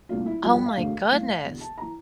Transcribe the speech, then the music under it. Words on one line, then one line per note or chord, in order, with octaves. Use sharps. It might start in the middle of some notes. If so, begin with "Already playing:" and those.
Oh my goodness.
C2 A#2 A3 D4 F4
E4
G1 G2 F3 F4
G4
F5
E1 D2 D3 A3 D4
G2 E3 A3
E1 E2 D3
A5
A#5
E3